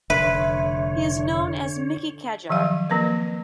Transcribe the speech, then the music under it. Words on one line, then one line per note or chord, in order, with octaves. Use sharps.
He is known as "Mickey Kadjar".
F1 D3 B4 C#5 E5 C6
D#3 F3 F#3 F5
F3 A#3 C4 A#4 B4